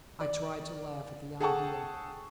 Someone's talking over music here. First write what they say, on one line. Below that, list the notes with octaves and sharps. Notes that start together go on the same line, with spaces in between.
I tried to laugh at the idea.
D5
G#4 A4 F#5 G5 A5 C#6